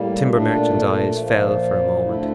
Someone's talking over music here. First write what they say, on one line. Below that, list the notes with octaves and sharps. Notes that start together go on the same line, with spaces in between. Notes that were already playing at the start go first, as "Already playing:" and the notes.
The timber-merchant's eyes fell for a moment.
Already playing: A2 G3 A#3
A#2 A3 D4
A#2 F3 A#3
D2 D3 A3 E4